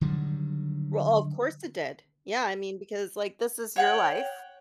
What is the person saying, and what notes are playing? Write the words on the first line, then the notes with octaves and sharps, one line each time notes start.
Well, of course it did. Yeah. I mean, because, like, this is your life,
D3 D#3 F#3 G3
C#5 F#5 G5